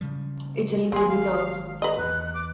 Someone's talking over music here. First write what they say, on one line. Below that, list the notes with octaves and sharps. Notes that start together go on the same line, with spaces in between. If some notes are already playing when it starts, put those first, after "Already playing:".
It's a little bit off.
C#3 F3 G3
G#1 A#3 G#4 C6
F5
B4 D#5 A#5
E2 F#6
D6